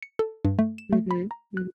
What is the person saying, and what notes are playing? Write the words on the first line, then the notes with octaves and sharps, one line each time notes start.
Mhm, mhm.
C#7
A4
G2
A3
E7
A3
B5
A#5
F#6